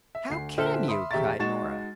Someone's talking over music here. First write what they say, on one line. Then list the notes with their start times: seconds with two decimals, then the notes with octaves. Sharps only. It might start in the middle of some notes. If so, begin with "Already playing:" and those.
"How can you?" cried Nora.
0.15 E5
0.30 D2 C7
0.58 A#2 D3 C5 E5 G5 F6
0.88 E5 B5 C6 D#6
1.11 E1 G4 E5 A#5 C#6 A6
1.39 G#3 D#4 F#4 C#6 A6 E7